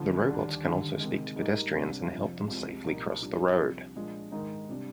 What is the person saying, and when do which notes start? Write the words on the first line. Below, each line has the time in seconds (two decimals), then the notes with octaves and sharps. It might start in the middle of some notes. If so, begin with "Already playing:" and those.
The robots can also speak to pedestrians and help them safely cross the road.
Already playing: D2 D3 F3
0.26 D#2 D3 G3 D4
0.63 D#2 D3 G3
1.00 C3 D#3 G#3
1.36 G#2 G3 A#3 D#4
1.73 C2 C3 G3 D4
2.11 F2 C3 F3
2.48 C2 C3 F3 G#3
2.84 C2 A#2 F3 A#3 D#4
3.21 A#2 G3 D4
3.58 C2 C3 F3
3.96 A#2 F3 G#3 D4
4.32 G#2 D#3 G#3 D#4
4.69 C3 G3 D4